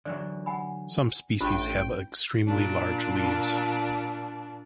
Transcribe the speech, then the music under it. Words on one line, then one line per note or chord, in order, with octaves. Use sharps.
Some species have extremely large leaves.
D3 E3 F#3 D5
F#5 G#5 B5
A1 D4 F4 G4 G5 B5
A#2 D4